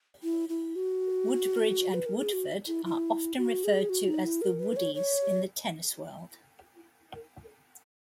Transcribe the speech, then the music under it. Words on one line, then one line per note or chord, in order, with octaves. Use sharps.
Woodbridge and Woodforde are often referred to as "The Woodies" in the tennis world.
E4
E4
F#4
B4
A#4
G#4
F#4
E4
E4
F#4
G#4
F#4
D#4
E4
A#4
B4
C#5
C#5